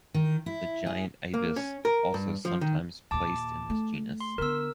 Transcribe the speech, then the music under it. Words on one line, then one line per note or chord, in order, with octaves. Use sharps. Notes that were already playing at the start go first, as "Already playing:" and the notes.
The giant ibis is also sometimes placed in this genus.
D#3
E4
G#4
A#3
C#4
A#4
G2
F3
D#3
D#2 A#2 A5 D6
A3
C6
D3 B3 A#4 E6